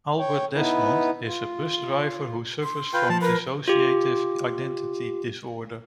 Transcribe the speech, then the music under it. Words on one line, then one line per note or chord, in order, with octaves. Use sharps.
Albert Desmond is a bus driver who suffers from dissociative identity disorder.
C#5 G5
B3 D#4 E4 B4
F4
C6
F4 B4 G5
F3 A5
A#4 B4
F4 G4